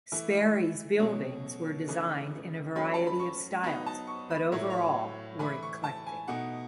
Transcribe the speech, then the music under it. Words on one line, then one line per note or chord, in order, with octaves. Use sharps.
Sperry's buildings were designed in a variety of styles, but overall were eclectic.
E3 A3 E4
B2 F#3 A3 C#4
C#3 E3 A3 D#4
F#3 A3 C#4 B5
A5
B5
C#6
F#3 B3 D#4 B5
A5
C#6
B5
A2 F#3 A3 E4 C#5
C#5
E3 A3 E4 B5
C#6
A5
G#5
B2 A3 D#4 F#5